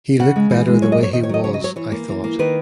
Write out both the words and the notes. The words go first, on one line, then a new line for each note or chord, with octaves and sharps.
He looked better the way he was, I thought.
C#3 F#5
G#3
E3
G#3
F#3 C#5
D#5
A#3 C#5
D#3 D#5
C#5
F#3 D#5
C#3 C#5
D#5
F#3 C#5
E3 C#5
A#3
E3
A#3
D#3 B4